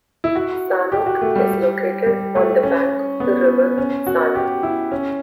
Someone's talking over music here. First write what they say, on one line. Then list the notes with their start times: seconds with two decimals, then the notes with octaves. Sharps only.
Sanok is located on the bank of the river San.
0.24 E4
0.35 F#4
0.92 G4
1.06 F#4
1.22 A3
1.36 G3
2.06 G3
2.35 A3
2.63 C#4
3.20 B3
3.78 C#4
4.07 F#4
4.35 G4
4.63 E4
4.92 C#4